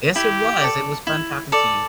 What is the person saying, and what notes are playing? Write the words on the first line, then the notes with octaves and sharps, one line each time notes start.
Yes, it was, it was fun talking to you.
E4 G4
A4 D5
E4
A4 D5